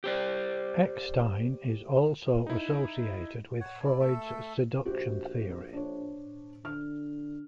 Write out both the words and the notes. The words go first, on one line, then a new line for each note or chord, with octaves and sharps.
Eckstein is also associated with Freud's seduction theory.
G4 C5 D5
D#4 E4
C#5 F#5
E4 D5
A3 A4 E5
A#1 F#4 G4 C5
D4 C5 C#5
D3 F6